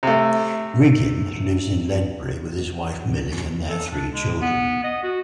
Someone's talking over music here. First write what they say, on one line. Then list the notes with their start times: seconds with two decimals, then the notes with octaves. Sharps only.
Wiggin lives in Ledbury with wife Milly and their three children.
0.03 C3 A3
3.69 A4
3.92 D4
4.12 G#3
4.41 B3
4.84 D#5
5.03 F#4